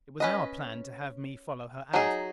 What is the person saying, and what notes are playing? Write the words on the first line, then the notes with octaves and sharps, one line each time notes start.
It was our plan to have me follow her out.
C#4 B4 D#5
F#3 D#4 G#4